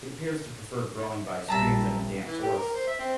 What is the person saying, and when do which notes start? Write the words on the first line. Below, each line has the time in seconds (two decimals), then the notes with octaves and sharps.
It appears to prefer growing by streams and in damp forests.
1.48 A#1 G3 E5 A5 A#5
2.28 E3
2.42 G4
2.56 A#4
2.75 C5
2.87 E5
2.99 C4